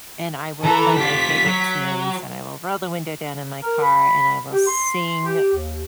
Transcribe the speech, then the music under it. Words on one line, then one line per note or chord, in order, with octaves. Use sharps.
and I will play my favorite tunes, and I will roll the window down in my car, and I will sing
E3 A4 B4 A#5
F4 G4 B6
F#3
A#4
B5
G4
C6
G4
D#2